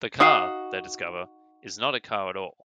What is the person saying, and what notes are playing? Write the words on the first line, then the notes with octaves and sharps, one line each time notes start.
The car, they discover, is not a car at all.
D#4 F#4 F5 D#6 C7